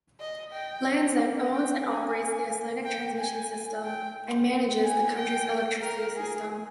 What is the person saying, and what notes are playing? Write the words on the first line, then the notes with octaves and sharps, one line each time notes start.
Landsnet owns and operates the Icelandic transmission system and manages the country's electricity system.
D#5
G5
G5
G#5
G5
G#5
G5
G#5
G5
A#4
G#4